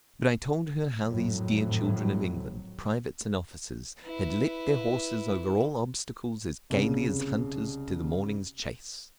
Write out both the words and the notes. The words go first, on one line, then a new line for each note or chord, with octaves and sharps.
But I told her how these dear children of England, privates and officers, had leaped their horses over all obstacles as gaily as hunters to the morning's chase.
G#1 F2 A2 F#3
E4 B4
C2 C#3